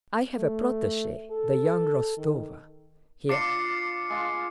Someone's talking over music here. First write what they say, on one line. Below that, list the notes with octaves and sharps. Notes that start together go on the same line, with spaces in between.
I have a protegee, the young Rostova, here.
A3
A4
D#3
D4 F4 D6 C7 C#7
G#3 F4